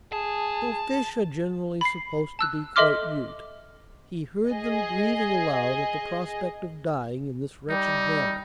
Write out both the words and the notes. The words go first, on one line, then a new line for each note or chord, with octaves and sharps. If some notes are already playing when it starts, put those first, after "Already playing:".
Though fish are generally supposed to be quite mute, he heard them grieving aloud at the prospect of dying in this wretched manner.
G#4 A5
B5 C7
A5 E6 F#6
A4 D#5 E5 C6 D6 F6
G#4 D#5
G3 D#4